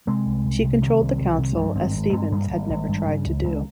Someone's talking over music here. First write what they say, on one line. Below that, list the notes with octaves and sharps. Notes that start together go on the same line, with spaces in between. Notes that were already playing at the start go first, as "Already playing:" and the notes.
She controlled the Council as Stevens had never tried to do.
C3 G#3 C4
C2
C2
C3
C3 D#3 G3
C2
C2
C3
G2 F3 G#3
G#1 G#3 C4
G#1
G2 G#3 C4
G2 G3 A#3
G#1
G#1
G2
C#3
C#2
C#2